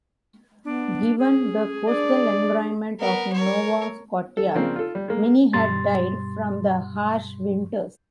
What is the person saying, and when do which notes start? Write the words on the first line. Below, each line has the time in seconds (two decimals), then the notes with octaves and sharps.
Given the coastal environment of Nova Scotia, many had died from the harsh winters.
0.65 B3 D4
1.19 C#4 G#4
1.88 D4 D5
3.00 B3 A#4
3.33 A#4 C#5
4.37 A4
4.55 C#3 F3 A#3 C4 D4
4.76 F4 A4
4.95 G3
5.08 G#3 A#3
5.53 G2 B2 G3 C6 A6